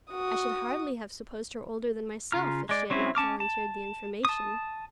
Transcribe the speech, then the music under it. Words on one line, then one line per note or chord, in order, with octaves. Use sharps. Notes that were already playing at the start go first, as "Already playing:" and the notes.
I should hardly have supposed her older than myself, if she had not volunteered the information.
F#4 D#6
C#3 F4 A#5 F6
G#3 D5
F#3 C4 C#4 E4
C#4 A5 D6 F6
A5
A5 D#6